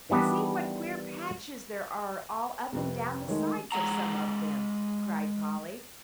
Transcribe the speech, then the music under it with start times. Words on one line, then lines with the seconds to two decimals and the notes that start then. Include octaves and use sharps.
"And see what queer patches there are all up and down the sides of some of them," cried Polly.
0.09 D#3 E3 G3 B3 D4
2.72 C2 F2 B4
3.28 D#3 G#3 A3 C#5
3.72 G#3 C#5 E5 F#5 A#5